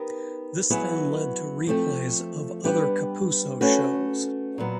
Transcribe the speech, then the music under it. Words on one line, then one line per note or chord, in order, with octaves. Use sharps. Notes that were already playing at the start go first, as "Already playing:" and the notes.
This then led to replays of other Kapuso shows.
Already playing: B3 D#4 G4 A#4
F#3 B3 E4 G#4
F3 A3 C4
G3 B3 D4 G4 B4
A3 C#4 F#4 B4
A#2 F#3 B3